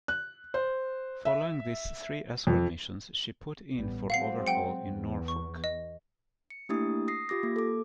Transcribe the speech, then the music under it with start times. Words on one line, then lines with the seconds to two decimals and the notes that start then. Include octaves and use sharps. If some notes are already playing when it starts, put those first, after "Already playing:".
Following these three escort missions, she put in for overhaul in Norfolk.
0.08 F#6
0.54 C5
1.25 E5
2.47 F2
3.75 A1 G3 B3
4.10 F#3 G#3 C4 F5 F#5 C7
4.47 F#5 G5 C#7
4.87 E2
5.28 C#6
5.64 D#5
6.50 C#7
6.69 A3 A#3 D4 E4 G4 D#6
7.08 D#6 A#6 C7
7.29 F4 G4 D6 A#6
7.43 A#3
7.56 A4 D6